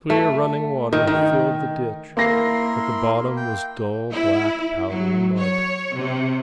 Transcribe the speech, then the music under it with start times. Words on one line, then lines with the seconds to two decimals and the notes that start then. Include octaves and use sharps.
Clear running water filled the ditch, but the bottom was dull black, powdery mud.
0.10 A3
0.93 D#3
1.07 D#3
2.17 A#3 E4 A#4 C6 A#6 C7
3.37 G5
4.12 E4
4.89 F#3
5.38 C#5
5.95 C3